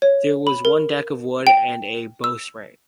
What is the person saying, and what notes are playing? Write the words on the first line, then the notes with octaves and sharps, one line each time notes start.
There was one deck, of wood, and a bowsprit.
C#5
B5
A#4
G5
E6